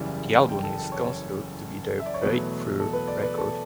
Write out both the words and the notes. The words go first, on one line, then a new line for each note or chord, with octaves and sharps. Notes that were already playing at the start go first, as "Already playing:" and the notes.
The album is considered to be their breakthrough record.
Already playing: F#1 E2 C#3 E3 G3
G5
A4
A4
C#5
E5
D5
C#5
E2 B2 F#3 A3 B4
A4
B4
D5
B4
A4